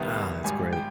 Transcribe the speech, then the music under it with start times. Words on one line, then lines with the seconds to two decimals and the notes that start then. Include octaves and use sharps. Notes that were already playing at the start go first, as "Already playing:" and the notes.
Ah, that's great.
Already playing: C2 C3 D#3 B3
0.44 G#1 G#2 G3 G#5
0.73 G5